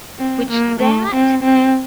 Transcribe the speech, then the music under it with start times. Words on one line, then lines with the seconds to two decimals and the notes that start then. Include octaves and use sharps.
which that
0.18 C4
0.50 A#3
0.80 A3
1.12 C4
1.43 C4